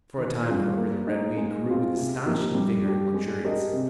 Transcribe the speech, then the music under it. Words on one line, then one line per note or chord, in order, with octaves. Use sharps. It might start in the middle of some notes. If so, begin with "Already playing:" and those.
For a time, however, the red weed grew with astonishing vigour and luxuriance.
D#3
G3 D4 F4 G#4
A#3
D#4 G#4 D#5
G#3
C4 F4
C3
F3 A#3 D#4 G4
G3
D4 G4
G#3
D4 G4 A#4 D#5
C3